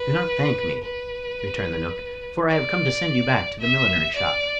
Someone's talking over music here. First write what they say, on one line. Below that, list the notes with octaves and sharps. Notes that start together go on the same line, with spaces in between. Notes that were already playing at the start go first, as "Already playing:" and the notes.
"Do not thank me," returned the knook, "for I have come to send you back to the millinery shop."
Already playing: B4
B4
D5
E5
D5